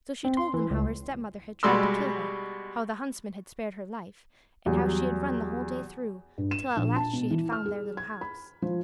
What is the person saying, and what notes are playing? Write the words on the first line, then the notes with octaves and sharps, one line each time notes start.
So she told them how her stepmother had tried to kill her, how the huntsman had spared her life, and how she had run the whole day through, till at last she had found their little house.
C4
C6
E3
C#2
B2 G3 G#3 D5 C6 E6
E2 F#3 G3
G2
E7
A#1
A5
B2
E3
F6
G#4
G#6
B5
F3